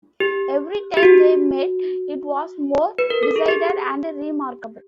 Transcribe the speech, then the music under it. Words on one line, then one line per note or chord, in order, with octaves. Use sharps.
Every time they met, it was more decided and remarkable.
G4
G4
F#4
B4
A#4
A4
G#4
G4